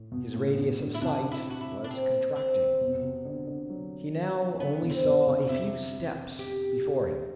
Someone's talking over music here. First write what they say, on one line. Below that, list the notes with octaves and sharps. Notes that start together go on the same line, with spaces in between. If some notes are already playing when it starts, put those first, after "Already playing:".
His radius of sight was contracting. He now only saw a few steps before him.
Already playing: A2
B2
A2
B2
D3
E4
C3 D4
E4
F#4
E4
D4
C4
C4
B2
C3
B2
C3
D3
D3
F#3
D3 B3
B2
C4
B2
C3
C3 E4
G4